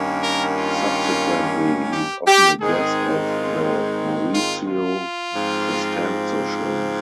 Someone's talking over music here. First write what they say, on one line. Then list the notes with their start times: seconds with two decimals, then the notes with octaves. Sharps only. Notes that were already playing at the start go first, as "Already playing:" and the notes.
Subsequently he’s often a guest of the “Maurizio Costanzo Show”.
Already playing: G2 D#3 A#3 C#4
0.20 A#4
0.55 F4
1.92 G4
2.27 G4
2.60 G#2 D#3 G#3 C4 G#4
3.29 F4
4.32 F4
4.66 F4
5.34 G#2 F3 C4